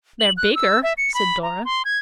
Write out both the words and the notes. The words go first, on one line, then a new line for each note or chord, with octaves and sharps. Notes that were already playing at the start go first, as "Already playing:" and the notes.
"They're bigger," said Dora.
F#7
F#6
E6
E5
C#7
B5
A#5
C6
G#6